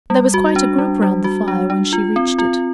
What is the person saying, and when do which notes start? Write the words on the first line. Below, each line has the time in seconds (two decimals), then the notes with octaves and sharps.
There was quite a group round the fire when she reached it.
0.10 G3
0.34 F#4
0.56 D4
0.78 G3
1.02 G3
1.24 F#4
1.48 D4
1.70 D4
1.93 F4
2.16 C4
2.38 F4